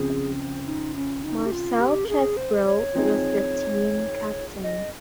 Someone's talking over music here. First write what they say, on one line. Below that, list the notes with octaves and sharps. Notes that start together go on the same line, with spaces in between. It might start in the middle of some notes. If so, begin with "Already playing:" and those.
Marcel Chesbro was the team captain.
Already playing: C#3 F3 C4 G#4
D#4
C#4
D#4
G4
F4
G4
A#4
G#4
C5
C#5
F3 C4 D#4 G#4
D#5